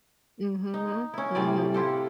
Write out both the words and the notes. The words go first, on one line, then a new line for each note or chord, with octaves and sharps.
Mhm, mhm.
D#4
C#4 E4
A2 C3 G3 D5
E4 F4 G4 A4